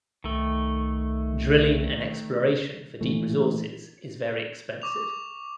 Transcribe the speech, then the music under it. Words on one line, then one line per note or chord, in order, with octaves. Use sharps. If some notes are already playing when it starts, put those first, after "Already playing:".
Drilling and exploration for deep resources is very expensive.
C2 D#3 A3
A#2 E3 A3
C#6 D6 F7